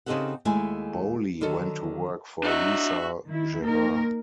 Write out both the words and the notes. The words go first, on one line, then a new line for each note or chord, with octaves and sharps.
Bowley went to work for Lisa Gerrard.
C#3 C4 D#4 G4 A4 F#5
D#2 G#3 A3 E4 G#5
D3 D#3 F#3 A4
D4 F#4 D#5 E5
D#3 E4
A#3 D#4 A#4